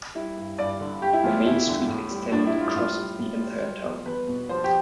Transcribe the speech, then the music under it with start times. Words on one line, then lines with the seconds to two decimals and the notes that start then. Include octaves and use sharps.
The Main Street extended across the entire town.
0.15 G3 E4
0.37 G2
0.58 G2 D5
0.80 D3
1.02 G3 G4
1.13 E4
1.24 E2 F4
1.46 E2 E4
1.67 D3
1.88 A2
2.11 G3
2.32 A2 D4
2.47 E4
2.54 G3
2.61 F4
2.75 A2 F4
2.98 G3
3.19 A2
3.40 G3
3.62 G3
3.84 E2
4.05 E2 B4
4.28 B2
4.49 F3 C5
4.64 G4